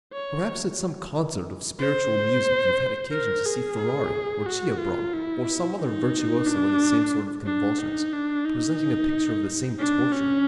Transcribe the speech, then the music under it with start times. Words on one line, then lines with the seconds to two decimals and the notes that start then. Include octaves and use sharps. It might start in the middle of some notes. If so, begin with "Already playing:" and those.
Perhaps at some concert of spiritual music you've had occasion to see Ferrari or Chiabran or some other virtuoso in the same sort of convulsions, presenting a picture of the same torture.
0.13 C#5
1.79 C5
3.12 A#4
3.46 G#4
4.46 F#4
4.79 F4
5.13 E4
5.79 D#4
6.46 D4
7.46 D4
7.79 D#4
8.13 D4
8.45 D#4
9.79 D4
10.12 C#4